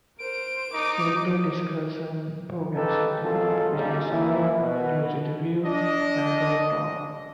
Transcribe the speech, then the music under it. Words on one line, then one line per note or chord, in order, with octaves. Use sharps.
Regular discussion programs include "Business Hour", "News With a View" and "God Talk".
A#4 C5 D7
D#4 D6 D#6
C#3 D#4 G4 A4 B4
G#1 F#3 F4 G#4 A4
A#1 F#2 C#3 G3 D#4
A#3 E4
B2
D4 D#5